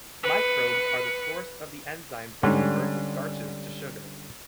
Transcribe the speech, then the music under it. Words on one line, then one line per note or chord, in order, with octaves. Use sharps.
Microbes are the source of the enzymes that convert the starches to sugar.
B4 C#7
G#2 D3 G3 C#4